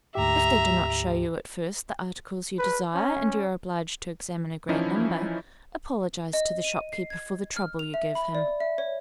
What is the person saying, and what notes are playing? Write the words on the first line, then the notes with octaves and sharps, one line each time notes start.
If they do not show you at first the articles you desire, and you are obliged to examine a great number, apologize to the shopkeeper for the trouble you give him.
D2 G#2 G4 E5 A#5
B4
C#4
E3 F3 C#4 D#4 E4
D#5
D#7
C7
G#6
F6
F7
E5
B5
D5
E5
C#5